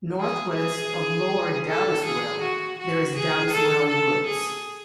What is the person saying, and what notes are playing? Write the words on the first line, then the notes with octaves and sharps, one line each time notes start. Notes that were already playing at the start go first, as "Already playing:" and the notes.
Northwest of Lower Dowdeswell, there is Dowdeswell Woods.
G#4
G#4
A4
G#4
F#4
F#4
G#4
A4
A4
G#4